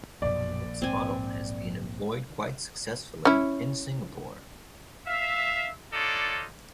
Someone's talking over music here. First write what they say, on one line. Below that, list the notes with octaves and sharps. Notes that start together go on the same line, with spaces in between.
This model has been employed quite successfully in Singapore.
A#1 F#2 B2 D5
G#2 C4 G#5
C#4 E4
E5 F5
D4 D#4 F4 A4 C#5 D5